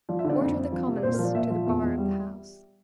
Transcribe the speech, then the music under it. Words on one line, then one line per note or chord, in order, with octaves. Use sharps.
"Order the Commons to the bar of the House."
F3 D5
E5
D3
D5
F2
F2
F3
C3
D5
A#2 C5
A#4
F3
D5
A#2 E5
F3
E2
E2
G3